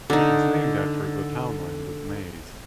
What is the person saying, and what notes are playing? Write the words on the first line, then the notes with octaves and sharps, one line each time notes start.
It was named after the townland of Maze.
D3 D#4